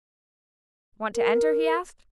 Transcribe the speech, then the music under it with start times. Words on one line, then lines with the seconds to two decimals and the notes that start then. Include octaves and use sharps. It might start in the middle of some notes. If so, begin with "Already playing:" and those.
"Want to enter?" he asked.
1.15 A#4